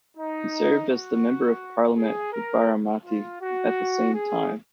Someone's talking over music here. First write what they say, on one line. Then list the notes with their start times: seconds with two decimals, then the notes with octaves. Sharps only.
He served as the Member of Parliament for Baramati at the same time.
0.17 D#4
0.89 F#4
1.97 G#4
2.33 A#4
3.06 F4
3.42 F#4
4.14 G#4